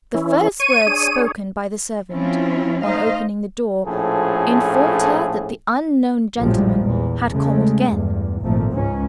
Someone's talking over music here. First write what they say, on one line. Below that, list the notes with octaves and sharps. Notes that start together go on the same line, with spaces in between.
The first words spoken by the servant, on opening the door, informed her that the unknown gentleman had called again.
E3 C#4 E4
C#5 C#6 D#7
D4 G#4 C#5
F3 C4 C#4 E4 F4
A3 D#4 C5 D#5 F5
A#1 A2 F3 C#4 G#4 A4
A#1 F#2 A2 F3 G3 G#3
E2 A#2
C#3 G#3 A3
E2 G2
G#1 A#2 F3 A3
C#2 G#2 C#4